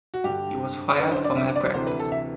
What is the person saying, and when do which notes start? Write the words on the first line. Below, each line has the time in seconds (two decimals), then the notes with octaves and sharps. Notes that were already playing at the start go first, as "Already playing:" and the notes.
He was fired for malpractice.
0.14 F#4
0.24 G2 D3 G4
0.99 F#2 D3 B4
1.12 C5
1.24 D5
1.37 E5
1.56 D5
1.74 D2 C3 E3 C5
1.87 B4
2.00 A4
2.12 E5